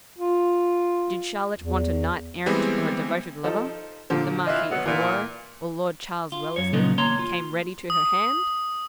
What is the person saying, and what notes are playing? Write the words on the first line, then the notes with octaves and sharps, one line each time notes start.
Did Charlotte want a knight-errant, or a devoted lover, the Marquis of Douro, or Lord Charles Wellesley, came ready to her hand.
F4
E2
E3 G3 G#3 B3 C4
F3 D#4 A4
A#2 D3 F3
E3 F4 D#5 E5
B2 F#3 B3
A#2 E3
F4
F#2 C#5
A#2 C#3 F3 F#3 B3 D#4
E2 A#3 C#5 A#5 C6
F4
D#6